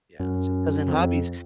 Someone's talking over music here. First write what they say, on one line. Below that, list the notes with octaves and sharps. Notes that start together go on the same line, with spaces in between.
Yeah, so 'cause in hobbies,
F#2
F2